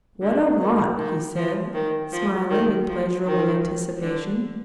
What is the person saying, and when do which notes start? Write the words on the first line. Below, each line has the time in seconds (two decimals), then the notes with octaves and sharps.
"What a lot!" he said, smiling in pleasurable anticipation.
0.21 D3
0.60 D#3
0.97 D#3
1.35 F3
1.74 D#3
2.12 F3
2.50 D#3
2.88 F3
3.26 D#3
4.02 D3